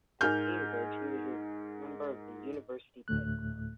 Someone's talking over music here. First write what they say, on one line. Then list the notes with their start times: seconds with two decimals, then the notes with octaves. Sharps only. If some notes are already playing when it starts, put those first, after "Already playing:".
At Cambridge, he was a member of the University Pitt Club.
0.21 G#2 A#4 G#5 F6 G6
3.08 D2 A2 A3 F#6